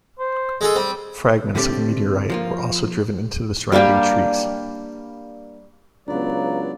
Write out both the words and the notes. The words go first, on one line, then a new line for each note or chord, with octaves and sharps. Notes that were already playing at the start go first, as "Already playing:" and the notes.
Fragments of the meteorite were also driven into the surrounding trees.
C5
G#3 G#4 A4
G3 C4
A2 D3 G3 A3 C4 G4
F3 A#3 F4
G3 A#3 D4 G4
C#2 F#3 B3 D4 D5 F5 A#5